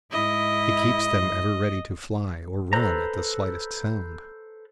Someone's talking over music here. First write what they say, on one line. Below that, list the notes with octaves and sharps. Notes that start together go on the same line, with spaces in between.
It keeps them ever ready to fly or run at the slightest sound.
G#2 E4 D#5
A4 B4 C5 A#5